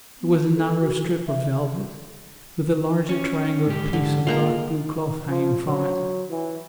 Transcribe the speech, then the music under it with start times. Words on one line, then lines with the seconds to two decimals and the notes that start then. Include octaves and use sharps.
It was a narrow strip of velvet with a larger triangular piece of dark blue cloth hanging from it.
0.21 B3
0.40 D#4
0.54 A4
0.81 F#4
1.01 F3
1.27 E5
3.09 C#4
3.67 G#2 G4
3.93 D3
4.27 G#3 A#3 F4 A#5
5.29 F3
5.66 F#3
6.30 E3